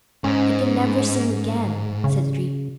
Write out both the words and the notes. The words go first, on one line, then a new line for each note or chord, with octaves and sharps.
"I can never sing again," said the dream.
G#2 C#4
C#3